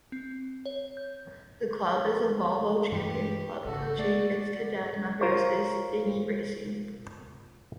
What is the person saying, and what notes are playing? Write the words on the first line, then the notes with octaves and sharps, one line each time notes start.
The club is a 'Volvo Champion Club' coaching its 'Cadet' members in dinghy racing.
C4
C#5
G6
G2 E3 A3 G4 B4
G#1 C#3 F#4 A4
A3 D5
F4 A#4 C5 C#5